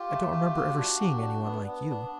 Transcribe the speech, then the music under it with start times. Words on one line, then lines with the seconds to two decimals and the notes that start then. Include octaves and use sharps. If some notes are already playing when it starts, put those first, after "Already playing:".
I don't remember ever seeing anyone like you.
Already playing: F4 G4
0.10 A3
0.31 F4
0.55 F#4
0.78 D4
1.00 F#4
1.22 D4
1.45 B3
1.67 B3
1.90 D4